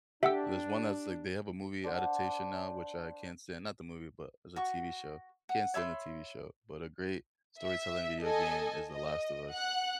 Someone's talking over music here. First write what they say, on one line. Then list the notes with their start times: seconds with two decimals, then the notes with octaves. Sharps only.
there's one that's, like, they have a movie adaptation now, which I can't stand, not the movie, but it's a TV show, can't stand the TV show, but a great storytelling video game is The Last of Us.
0.23 D4 G4 E5 F#5 E6
1.84 D4 C5 F#5
4.56 F#4 C#6
5.49 F#5
5.74 C#5 E5 B5 C6
7.63 E5
8.23 A4 D#5 G#5
8.90 D#5
9.52 F#5 F#6